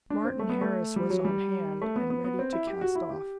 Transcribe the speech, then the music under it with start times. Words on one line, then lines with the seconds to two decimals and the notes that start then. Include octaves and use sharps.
Martin Harris was on hand, and ready to cast off.
0.10 D4
0.25 C4
0.39 A3
0.49 B3
0.61 A3
0.96 G3
1.10 F#3
1.25 G3
1.82 A3
1.96 B3
2.10 B3
2.24 B3
2.39 C4
2.53 E4
2.67 G4
2.81 F#4
2.95 E4
3.10 G4